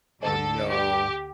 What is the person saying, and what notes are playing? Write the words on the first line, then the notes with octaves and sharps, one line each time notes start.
Oh, no.
D2 D3 A4
G4